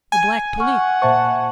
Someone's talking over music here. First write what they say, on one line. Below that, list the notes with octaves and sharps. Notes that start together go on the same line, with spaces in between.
The Black Police.
G#5
F#5 C#6 F6
A#2 C5 E5 A5 C#6